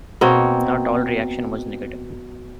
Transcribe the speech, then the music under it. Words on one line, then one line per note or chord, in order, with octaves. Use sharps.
Not all reaction was negative.
B2 A#3 C4 C#5